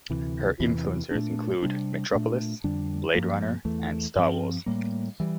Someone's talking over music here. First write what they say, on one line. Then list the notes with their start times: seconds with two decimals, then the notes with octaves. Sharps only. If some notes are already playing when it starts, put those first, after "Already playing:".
Her influences include "Metropolis", "Blade Runner", and "Star Wars".
0.10 D2 C3 E3
0.60 E2 C3 E3
1.11 A#2 A3 D4
1.62 C3 G3 D4
2.12 A#2 A3 D4
2.64 F2 D3 G3 D4
3.15 G2 F3 A#3
3.65 E2 E3 A3
4.16 G2 F3 C4
4.66 A2 G3 A#3
5.20 E3 G3